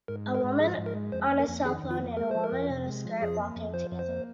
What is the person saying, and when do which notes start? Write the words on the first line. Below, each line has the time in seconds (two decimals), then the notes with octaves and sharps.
A woman on a cellphone and a woman in a skirt walking together.
0.08 G#2 A#4
0.26 G#3
0.35 A#4
0.43 G#2
0.60 F3 G#4
0.78 G#2
0.86 A#4
0.95 G#3
1.12 F2 C5
1.30 A#3
1.39 A#4
1.48 F2
1.65 D#3 G#4
1.83 F2
1.91 F4
1.99 A#3
2.17 G#3 A#4
2.31 F3 C5
2.44 A#4
2.52 F2
2.70 C3
2.86 G#3
3.04 F3
3.22 F2 G#4
3.38 A#3
3.56 F2
3.74 F3 C5
3.92 F2
3.99 C5
4.08 A#3